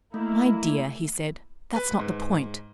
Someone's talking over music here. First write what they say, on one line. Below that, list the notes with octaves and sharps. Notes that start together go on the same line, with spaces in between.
'My dear,' he said, 'that's not the point.
A3 A#3 E4
B4
G#2